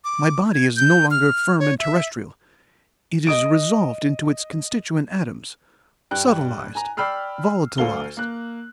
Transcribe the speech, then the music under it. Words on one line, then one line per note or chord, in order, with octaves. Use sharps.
My body is no longer firm and terrestrial; it is resolved into its constituent atoms, subtilised, volatilised.
D6
G#6
G6
F6
C#5
E5
D#5 D#6 D7
G2 G5 F#6
G#5 A#5
D5 G5 B5 E6 F6 C7
D2 A4 F5 G7
A#3 F#6